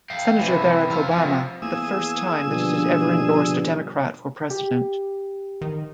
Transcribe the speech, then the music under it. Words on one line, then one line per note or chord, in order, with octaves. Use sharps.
Senator Barack Obama-the first time that it had ever endorsed a Democrat for president.
F5 G5
C3 E3
C4 F5
C3 F3
E2 A#3 G#4 D#6 E6
G2 B2 D3 F3
G4
D#3